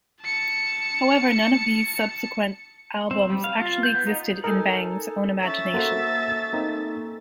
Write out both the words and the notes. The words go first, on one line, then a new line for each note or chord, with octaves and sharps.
However, none of these subsequent albums actually existed except in Bangs' own imagination.
A5 C#7
C4
G3
F5
F4
G6
B3
D#4
D#4 A4 A#4 G#5
C#4 E5 A6
A#3 F#4 A4 C5
A#3 C4 D#4